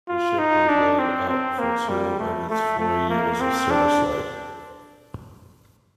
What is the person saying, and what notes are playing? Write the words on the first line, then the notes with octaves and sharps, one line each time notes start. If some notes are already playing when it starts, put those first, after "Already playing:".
The ship was laid up for two of its four years of service life.
F4
D#4
D4
C4
C4
A#3
G3
A3
A3
A3
A#3
C4
D4